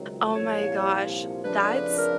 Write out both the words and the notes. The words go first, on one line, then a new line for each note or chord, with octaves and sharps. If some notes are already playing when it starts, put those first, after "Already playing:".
Oh my gosh, that's
Already playing: C#2 C3 D#3 F#3
C2 A#2 F3 C#5
F2 C#3 F3 A3 D4 B4
A#4